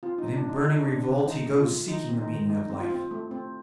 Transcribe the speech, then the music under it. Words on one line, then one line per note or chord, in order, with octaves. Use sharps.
And in burning revolt he goes seeking the meaning of life.
C4 F4
D#4
F3
D4
F3
D#4
D3 D#4
D4
C4
D4
D3
D#3 D#4
A3
F4
A3
D#3 D#4
C4
D#4
D#3
A3 D#4
C4
F4
C4
A3
C4